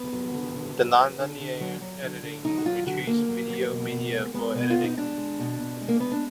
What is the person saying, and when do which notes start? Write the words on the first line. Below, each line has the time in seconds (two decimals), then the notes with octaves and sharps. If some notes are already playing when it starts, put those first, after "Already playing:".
The non-linear editing retrieves video media for editing.
Already playing: B3
0.13 F#3
0.34 D3
0.56 D3
0.76 F#3
0.98 F#3
1.18 D3
1.39 D3
1.61 F#3
1.82 F#3
2.03 D3
2.23 D3
2.45 F#3 D#4
2.58 F#4
2.65 F#3 F4
2.87 D3 F#4
3.07 D3 A#3
3.28 F#3
3.49 F#3
3.71 B2
3.92 B2
4.12 G#3
4.34 G#3 B3
4.54 B2
4.70 F4
4.76 B2
4.84 D#4
4.97 G#3 D4
5.18 G#3
5.39 B2
5.60 B2
5.81 G#3
5.88 A#3
6.00 G#3 B3
6.12 D4